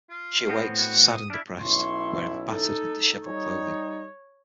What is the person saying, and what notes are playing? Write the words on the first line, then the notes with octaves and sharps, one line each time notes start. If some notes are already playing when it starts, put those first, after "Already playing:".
She awakes, sad and depressed, wearing battered and disheveled clothing.
F4
A2 B3 C4
F#4
D#6
D4 E4 F5
B1 C#4 E4 C6 C#6
D#4 A4
G3 D#4 C#5